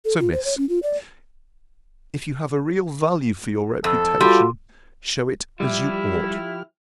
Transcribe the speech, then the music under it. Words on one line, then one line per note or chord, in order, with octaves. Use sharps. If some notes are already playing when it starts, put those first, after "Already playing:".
So, Miss, if you have a real value for your reputation, shew it as you ought.
A4
F4
C5
C#5
C#4
F4
D5
F2 A4
G3 F4 F#4 C6
F3 G3 E4 G4 F6